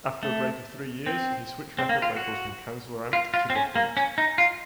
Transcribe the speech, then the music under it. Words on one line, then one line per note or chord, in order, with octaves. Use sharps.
After a break of three years, he switched record labels from Kanzleramt to Different.
A3
C4
C4
A#3
F4
F#4
F4
F4
C4
C#4
A#3
C#4
D#4
F4